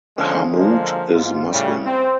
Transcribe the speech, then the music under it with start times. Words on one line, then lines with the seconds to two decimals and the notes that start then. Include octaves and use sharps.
Hammoud is Muslim.
0.17 D3 F3 G#3 C#4
0.51 D3 F3 G#3 A#3
1.11 G#2 F4
1.51 A2 C#3 G3
1.83 C4